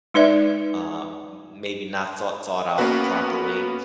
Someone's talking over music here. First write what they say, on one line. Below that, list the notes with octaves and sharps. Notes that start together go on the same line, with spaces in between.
um, m maybe not thought thought out properly.
G#3 D#4 B4 D5 E5
A#3 B3 C#4 F#4 B4